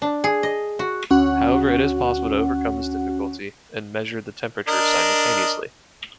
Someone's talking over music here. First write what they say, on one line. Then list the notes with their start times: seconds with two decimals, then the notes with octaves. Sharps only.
However, it is possible to overcome this difficulty and measure the temperature simultaneously.
0.02 D4
0.24 G#4
0.43 D#5
0.79 F#4
1.10 D2 C#4 F#4 F#5
4.68 D4 A#4 D#5